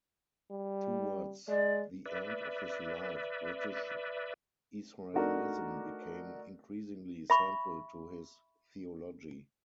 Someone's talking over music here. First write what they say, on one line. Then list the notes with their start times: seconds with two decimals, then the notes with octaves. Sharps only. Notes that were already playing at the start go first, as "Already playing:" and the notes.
Towards the end of his life British Israelism became increasingly central to his theology.
0.51 G3
1.48 G#3 D5
2.06 B4 D5 E5
5.14 A3 D4 D#4 F#4 A#4 D5
7.30 E5 B5 C#6